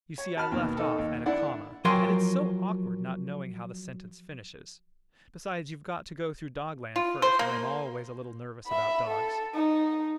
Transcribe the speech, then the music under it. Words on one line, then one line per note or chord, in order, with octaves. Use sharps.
You see I left off at a comma, and it's so awkward not knowing how the sentence finishes! Besides, you've got to go through Dogland first, and I'm always a little nervous about dogs.
C#5
F#4 A5 B5 F6
D#2 B2
D#4 A4
D#2
D4 E4 D5 F#5
F3 F#3 A#4 G5 G#5 C6
F4
C5
A#3
E5 B5
A4
D#4